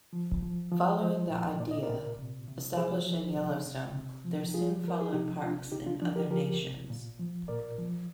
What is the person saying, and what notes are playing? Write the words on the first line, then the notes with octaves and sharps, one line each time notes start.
Following the idea established in Yellowstone, there soon followed parks in other nations.
F3
F3
F3
F3 C5 D#5
A#2
A#2 D5
D#5
A#4 D5
A#2
C3
C3
F3 G#4 C5
F3
C3
C3
C3
F3
F3 F4 G#4
F3 A#4
G#4
C3 D#4 G4
C3 D4 F4
C3 D#4 G4
D4 F4
F3 D4
G4 A#4
F3 G4 A#4
C3
A#2
F3
A#2 A#4 D5
F3